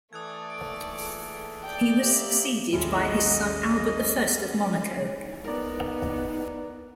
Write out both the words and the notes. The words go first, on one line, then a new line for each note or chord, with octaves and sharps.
He was succeeded by his son Albert the First of Monaco.
E3 A3 A4 D5 D#6 F#6 G#6
D7
D5 G5
A#3 G4 E5 D6 D7 F#7
A1 D#2 G3 G#3 C#4 E4 A4 D#5
B3 D#4 A#4 D5